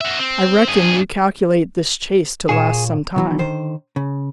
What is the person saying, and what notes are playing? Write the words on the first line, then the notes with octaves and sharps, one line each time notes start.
"I reckon you calculate this chase to last some time."
F#4 E5
C4
G2 G#4
A#2 G#4 C#5 E7
B2 E3 F#3
D3 D#3 C5
C#3